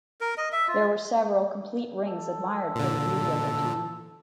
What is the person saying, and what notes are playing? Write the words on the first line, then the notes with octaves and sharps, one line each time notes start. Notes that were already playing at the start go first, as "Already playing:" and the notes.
There were several complete rings admired for the beauty of their tone.
A#4
D#5
E5
F4
A4
A#2 D3